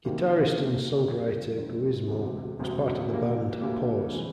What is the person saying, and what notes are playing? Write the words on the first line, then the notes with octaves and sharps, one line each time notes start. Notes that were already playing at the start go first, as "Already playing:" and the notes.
Guitarist and songwriter Guizmo was part of the band Pause.
D2 C3 D#3 G3 A#3
D2 C3 D#3 G3 A#3
G1 F2 D3
G1 F2 D3
E1 D2 C3
E1 D2 C3
D2 D3 G3 A#3
D2 D3 G3 A#3
E3 G#3 C4